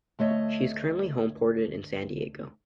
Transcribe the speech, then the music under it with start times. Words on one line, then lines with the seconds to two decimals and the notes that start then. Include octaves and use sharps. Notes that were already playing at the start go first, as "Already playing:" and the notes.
She is currently homeported in San Diego.
0.19 D2 A3 C#5 D#5